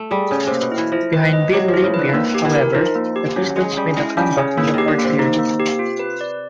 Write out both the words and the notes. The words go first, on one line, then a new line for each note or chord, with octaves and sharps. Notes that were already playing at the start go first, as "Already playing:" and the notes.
Behind Bill Laimbeer, however, the Pistons made a comeback in the fourth period.
Already playing: A3
G3 G#4
C#3 C#4
C3 A#3
B2
E4
E3
F3 E4
B4
D#5
F#3 G4
F3
E4
C#3
D3 B4
D#3 A#3
G4
E3
A#4
F3 D#4
A#3
G4
F#3 C#4
G#3 G#4
G3 C#4
G#3 E4
G3 C#4
C#3 G#4
E3 A#3
D#3 G4
D3
A#3
C3
C3 D#4
A#3
G4
F4
B4
D5